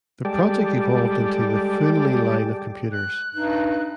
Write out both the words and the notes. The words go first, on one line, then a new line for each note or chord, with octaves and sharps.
The project evolved into the Foonly line of computers.
G3 G#3 G4 A4 D5
F#6
G2 D#4